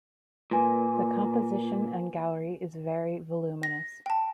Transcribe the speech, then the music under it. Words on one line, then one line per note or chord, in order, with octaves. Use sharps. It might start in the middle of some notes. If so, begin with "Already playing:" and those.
The composition in Gauri is very voluminous.
A#2 F4 B4 G#5
A#6
G5 A5